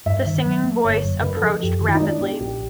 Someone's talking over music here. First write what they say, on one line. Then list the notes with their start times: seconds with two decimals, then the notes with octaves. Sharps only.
The singing voice approached rapidly.
0.06 G2 E5
0.26 D#3
0.45 F#3
0.64 A#3
0.84 G1 C#5
1.04 F#2
1.23 C#3 B4
1.37 A4
1.43 F3
1.62 F#2 G4
1.81 D#3
1.88 E4
1.95 D#4
2.01 G#3 D4
2.21 B3 G4
2.40 A#1 G4